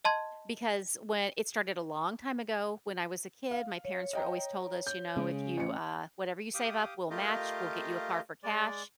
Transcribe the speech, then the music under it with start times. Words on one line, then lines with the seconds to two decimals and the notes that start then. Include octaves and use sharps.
because whe it started a long time ago when I was a kid, my parents were always told us, you know, "If you, uh whatever you save up we'll match, we'll get you a car for cash."
0.05 D#5 A5 C6 G#6
3.51 F5
3.85 C#5
4.13 D#5 G5 A#5
4.87 G6
5.16 C#3 G#3
5.57 A1 C#7
6.54 G4 F5 D6 D#6
7.10 A3 F4 G4 A#4 D#5 F5
8.43 G#3 D5